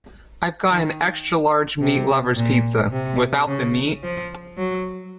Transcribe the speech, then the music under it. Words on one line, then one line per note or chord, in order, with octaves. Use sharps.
I’ve got an extra large meat lover’s pizza, without the meat?
D#3
C3
A#2
C3
C#3
F3
F#3